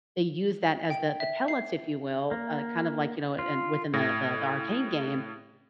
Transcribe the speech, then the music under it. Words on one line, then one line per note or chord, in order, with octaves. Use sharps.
they use that as the the pellets, if you will, uh, kind of, like, you know, in within the the the Arcade game,
G5
E5
C7
A#3
F4
A2 A#6